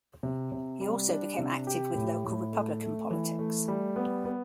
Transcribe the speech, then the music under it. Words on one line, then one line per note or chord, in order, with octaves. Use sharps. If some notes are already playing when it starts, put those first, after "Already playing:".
He also became active with local Republican politics.
C3
C3
G3
D4
C3
G4
A2
A2
A3
A3
E3
A3
G3
B3
B3